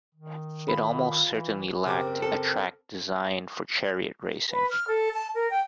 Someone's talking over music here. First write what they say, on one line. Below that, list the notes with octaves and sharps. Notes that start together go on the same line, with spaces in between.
It almost certainly lacked a track designed for chariot racing.
D#3
F4 B5
E3
F#1 C4 G4 A#4 D6
A4
B4
F6
A4
A5
A#4
G5